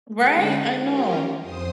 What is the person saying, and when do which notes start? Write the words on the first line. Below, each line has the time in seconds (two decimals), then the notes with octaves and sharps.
Right, I know.
0.17 D3 G#3 C#4 D#4 G#4
0.76 C#4 F4 G4 A#4
1.40 F2 C5 C6 D#6